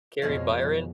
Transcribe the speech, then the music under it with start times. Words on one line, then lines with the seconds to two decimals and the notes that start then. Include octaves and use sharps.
Carrie Byron,
0.22 F2 B2 G#3 C#5 F5